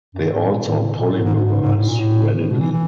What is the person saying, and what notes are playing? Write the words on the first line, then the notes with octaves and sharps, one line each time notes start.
They also polymerize readily.
F#2
G2
G#2
A2
A#2
A2
A2
A#2
A2
G#2
G#2
G#2
G#2
A2
A#2
A2
A2
B2
E3
E3